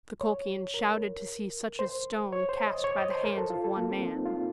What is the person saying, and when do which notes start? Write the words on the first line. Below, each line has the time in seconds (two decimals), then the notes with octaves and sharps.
The Colchians shouted to see such a stone cast by the hands of one man.
0.21 C#5
0.74 A#4
1.79 C5
2.32 C#5
2.49 C5
2.67 D#5
2.84 C#5
2.98 D#5
3.11 C5
3.24 A#4
3.38 A4
3.50 F4
3.64 A4
3.77 A#3
3.91 C4
4.09 D#4
4.25 F4